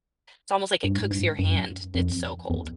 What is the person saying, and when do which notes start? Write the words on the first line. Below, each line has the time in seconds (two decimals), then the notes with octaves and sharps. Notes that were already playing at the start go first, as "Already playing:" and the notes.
it's almost like it cooks your hand, it's so cold.
0.84 G2
0.98 G#2
1.11 G2
1.39 F#2
1.95 F2
2.50 E2